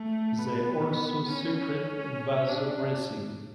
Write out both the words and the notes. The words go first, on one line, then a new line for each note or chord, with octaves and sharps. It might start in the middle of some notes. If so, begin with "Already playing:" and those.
They also secrete vasopressin.
Already playing: A3
B3
C#4
C#4
D4